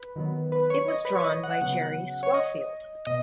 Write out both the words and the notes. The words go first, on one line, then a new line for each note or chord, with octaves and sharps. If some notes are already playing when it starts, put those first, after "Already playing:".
It was drawn by Jerry Swaffield.
Already playing: B4
D#3 F#3 B3
B4
C#5
D#5
B4
C#5
D#5
F#5
C#3 F#3 B3 F#5
C#5
D#5
B2 D#5